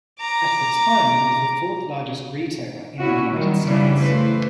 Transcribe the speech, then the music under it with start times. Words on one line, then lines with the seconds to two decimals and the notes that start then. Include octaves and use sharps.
At the time it was the fourth largest retailer in the United States.
0.20 A#5 D6
2.98 A#2 C#4 E4 F#4
3.31 D#3 F#3 G3
3.63 F#2 C#3 E3 G3 D4 E4
3.99 E3 A3 B4 C5